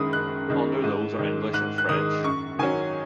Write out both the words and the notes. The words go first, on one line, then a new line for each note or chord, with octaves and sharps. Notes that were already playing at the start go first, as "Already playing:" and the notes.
Under those are English and French.
Already playing: F#1 F#2 D#3 G#3 B5 D#6
F#1 F#6
F#2 D#3 G#3
G#2
D#3 G#3
G#2 F#6
F#6
D#3 G#3 D#6
F#2 C#6
D#3 F#3 C#4 G#5